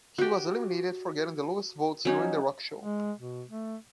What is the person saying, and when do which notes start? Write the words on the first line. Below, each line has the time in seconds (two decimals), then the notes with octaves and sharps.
He was eliminated for getting the lowest votes during The Rock Show.
0.18 F#4 G4
2.05 F#3 C#4 D#4
2.80 G#3
3.18 B2
3.48 A3